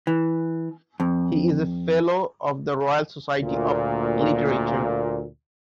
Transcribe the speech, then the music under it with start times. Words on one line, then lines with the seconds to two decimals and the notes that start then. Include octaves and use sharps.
He is a Fellow of the Royal Society of Literature.
0.07 E3
1.00 F2
3.41 D2 A#2